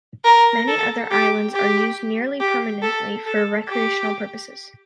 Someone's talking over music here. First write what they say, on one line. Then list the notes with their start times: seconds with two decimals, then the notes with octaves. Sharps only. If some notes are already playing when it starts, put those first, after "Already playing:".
Many other islands are used nearly permanently for recreational purposes.
0.24 A#4
0.68 A4
1.11 G4
1.54 G4
2.40 G4
2.82 A4
3.26 A4
3.69 G4